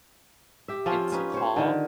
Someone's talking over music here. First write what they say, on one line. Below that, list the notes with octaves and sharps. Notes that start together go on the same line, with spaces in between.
it's a call,
G4 E5
F3 C4 C#4 F4
C#4 D#4 B4
C5 C#5
D3 D#3